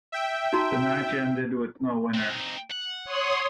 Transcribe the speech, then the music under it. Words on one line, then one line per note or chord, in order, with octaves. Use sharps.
The match ended with no winner.
E5 G5
D#4 F#4 A#5
C4 D#4
F#5
C#5 C6 D#6